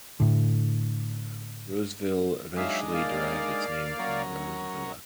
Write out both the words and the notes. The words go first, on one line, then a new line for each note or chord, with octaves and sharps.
Roseville eventually derived its name from "Rose Villa".
A2 D3
F#3 G#3 D4 D#4 E5 F5
A#3 D5 F5
F#3 C#4 A#4